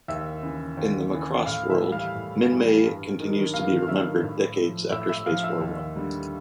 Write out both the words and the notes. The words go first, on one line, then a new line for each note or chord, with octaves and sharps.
In the "Macross" world, Minmay continues to be remembered decades after Space War One.
D#2 E5 E6
C#3 E3
D#2
C#3 E3
A2 F5 F6
E5 E6
E3 G3
F5 F6
A2
E3 G3
G2
D#3 F#3
G2 F5 F6
F6
D#3 F#3 E5 E6
A2
F3
A2 E5 E6
E5 E6
F3 F5 F6
E5 E6
D#2
D3 G3